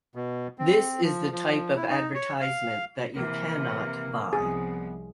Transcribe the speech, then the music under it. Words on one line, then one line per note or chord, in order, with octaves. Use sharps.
This is the type of advertisement that you cannot buy.
B2
C4
F3
F3
E4
D#4
C#5
F5
C3 E3 A#3
C2 F3 B3 G#4